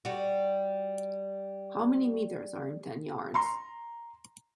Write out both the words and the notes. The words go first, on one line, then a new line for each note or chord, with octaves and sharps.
How many meters are in ten yards?
G3 F#4
A#5 C6